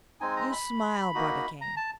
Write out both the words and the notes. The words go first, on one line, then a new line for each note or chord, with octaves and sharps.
You smile, Barbicane.
G#3 C4 D#4 G#5
A#5
B5
A#3 D#4 F#4
A#5
A5